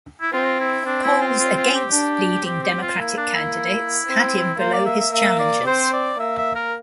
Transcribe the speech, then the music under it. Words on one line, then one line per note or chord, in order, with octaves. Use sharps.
Polls against leading Democratic candidates had him below his challengers.
E4
C4 F4
E4
C4 D4
E4
F4
F4
F4
G4
D4
C4 G4
G4
F4
A#3 E4
D4
E4
C4
A#3 C5
D5
E5
E5
A#3 E5
D5
C4 C5
D5
A#3 E5
E5
A#4